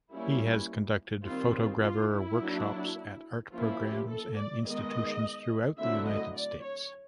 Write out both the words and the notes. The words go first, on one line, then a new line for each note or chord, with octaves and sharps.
He has conducted photogravure workshops at art programs and institutions throughout the United States.
G3 A#3 C#4 E4
D#3 G3 C4 F4
F4
E4
F#3 A#3 D4
F3 A#3 C#4 E4 F4
G4
A4
D5
D#3 G#3 B3 D#5
D3 F#3 A3 C4 E4 E5
D#5
D5
C#5